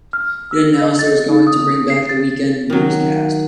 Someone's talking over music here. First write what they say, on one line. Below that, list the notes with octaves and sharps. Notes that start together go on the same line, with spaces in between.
It announced it was going to bring back the weekend newscast.
F6
E6
D#5
A6
D#4
D#6
C7
A6
D#3 F#3